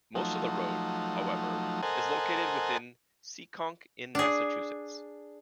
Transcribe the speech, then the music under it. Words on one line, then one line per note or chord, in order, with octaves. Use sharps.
Most of the road, however, is located within Seekonk in Massachusetts.
F3 F#3 A3 D#4
A4 A#4 C5 D#5 F#5 G#5
D4 G#4